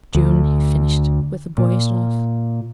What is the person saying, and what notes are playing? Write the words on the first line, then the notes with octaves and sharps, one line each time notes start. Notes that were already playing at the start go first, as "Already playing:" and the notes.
"June," he finished with a boyish laugh.
D2
A#2